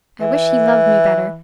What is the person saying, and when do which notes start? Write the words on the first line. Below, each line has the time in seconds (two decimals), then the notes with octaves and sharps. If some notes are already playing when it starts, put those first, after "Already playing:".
"I wish he loved me better."
0.21 E3